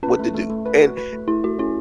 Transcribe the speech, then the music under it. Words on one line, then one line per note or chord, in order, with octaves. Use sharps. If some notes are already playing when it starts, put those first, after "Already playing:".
what to do, and, b
C#4 B4
A3
A3
A3
B4
F#4
B4
A3
A3 E4
A3 F#4
C#4 E4